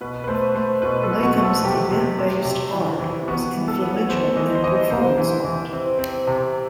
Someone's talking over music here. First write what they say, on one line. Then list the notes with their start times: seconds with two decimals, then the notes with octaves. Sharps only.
Latham's event-based art was influential in performance art.
0.01 B2 B4
0.24 B4
0.28 A3 C5
0.55 A3 C5
0.82 B2 B4
1.03 A4
1.10 B2
1.23 F#4
1.37 A3
1.44 A4
1.63 C3 G4
1.91 C3
2.19 C3
2.45 C3
2.73 E3
3.00 E3
3.28 B3 F#4
3.55 E3
3.68 A4
3.82 B3
4.09 E3 C5
4.36 E3 D#5
4.55 C5
4.64 E3 D#5
4.90 C3 C5
5.18 E3
5.45 E3
5.73 C4
5.99 C4
6.27 C3